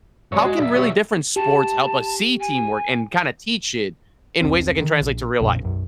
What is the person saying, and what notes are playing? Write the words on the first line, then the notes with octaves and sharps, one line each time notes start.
how can really different sports help us see teamwork and kinda teach it in ways that can translate to real life?
G2 C3 C#5 D5
G#3 F#4
B1 D5 E5
G4 C#5 D5
G4 A5
G#5
E1 C2 C4
D#3
A#1
A#1 F2 A#2 C#3
B1 F#2